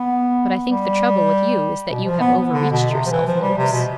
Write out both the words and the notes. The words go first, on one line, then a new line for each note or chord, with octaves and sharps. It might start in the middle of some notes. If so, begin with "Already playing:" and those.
But I think the trouble with you is that you have overreached yourself, Noakes.'
Already playing: B3
G3
B2
F3
B3
D3
B2
C3
F3
E3
F3
G3
C3
B2